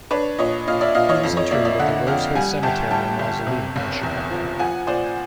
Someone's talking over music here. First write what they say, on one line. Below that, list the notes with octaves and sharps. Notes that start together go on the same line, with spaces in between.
He was interred at the Rosehill Cemetery and Mausoleum in Chicago.
D4 B4 C#5
A#2 C#5 D#5
A#2 D#5 F5
D5 E5
A#2 D#5 F5
C#5 D#5
F2
C#5 D#5
A#3 D5 E5
D5 E5
D3 E5 F#5
F2 F5 G5
G3 F#5 G#5
G1 G5 A5
G3 G5 A5
G1
C3
F#1
E2
F3
F3 F#5 G#5
A#2 C5 D5